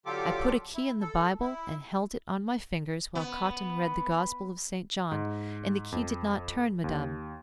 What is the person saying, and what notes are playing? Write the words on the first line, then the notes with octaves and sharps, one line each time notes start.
"I put a key in the Bible and held it on my fingers while Cottin read the Gospel of St. John, and the key did not turn, madame."
D3 F#3 F4 G4 A4 D6
E4
A4
E4
B3
G#2
F2
D#2